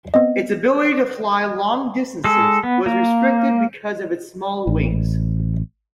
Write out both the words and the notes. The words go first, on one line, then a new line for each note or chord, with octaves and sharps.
Its ability to fly long distances was restricted because of its small wings.
B3 C4 D#5
G#3 A4
B3
A#3
A1